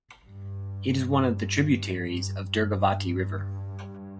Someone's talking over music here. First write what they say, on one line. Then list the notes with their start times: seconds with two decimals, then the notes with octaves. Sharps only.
It is one of the tributaries of Durgavati River.
0.25 G2
2.06 G2
2.50 G2